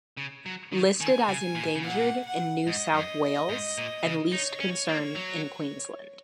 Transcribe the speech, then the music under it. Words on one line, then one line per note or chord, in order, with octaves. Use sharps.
Listed as endangered in New South Wales and least concern in Queensland.
C#3
F#3
D#3
D#3 G#5
C#3
A#2
C#3
A#2 F#5
F#5
G#2 D#5
F#2
G#2
A#2
C#3
D#4 C#5
C#4
A#3
F#3